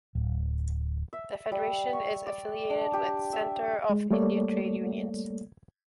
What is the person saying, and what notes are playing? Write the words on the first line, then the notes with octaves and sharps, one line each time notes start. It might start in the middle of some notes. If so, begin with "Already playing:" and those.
The federation is affiliated with the Centre of Indian Trade Unions.
D1
E5
G3
C#6
D5
D4
G4
E5
G#3
G3 A3 A#3 A4 C#5 D5